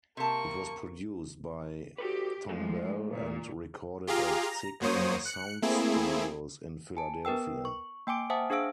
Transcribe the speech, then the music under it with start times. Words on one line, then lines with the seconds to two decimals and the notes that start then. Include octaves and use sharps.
It was produced by Thom Bell and recorded at Sigma Sound Studios in Philadelphia.
0.17 C3 A#3 A5 C#6
1.98 F#4 G4 A4 B4
2.49 E2 A2 F3 G#3 A4
3.10 A#2
4.07 F4 G4 G#4 F5 A#5
4.46 A#5
4.81 F#2 F#3 A#3 C5 C#5 D#6
5.25 F#6 C#7
5.62 A3 A#3 C4 E4 G#4
6.97 G#5 A5
7.25 B3 A#4 B4 G5 E6
7.65 C#6
8.07 A#3 G5 G#5 D6 D7
8.30 C5 E5 F#5 G#5 A5 D#6
8.50 D4 G#4 C5 F5 E6 D7